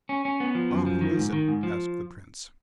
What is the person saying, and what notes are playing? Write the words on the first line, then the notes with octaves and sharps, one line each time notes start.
"Ah! who is it?" asked the Prince.
C#4
C#4
B3
F3
F#2
F3
D#3
G#2
D#3
G#2
F3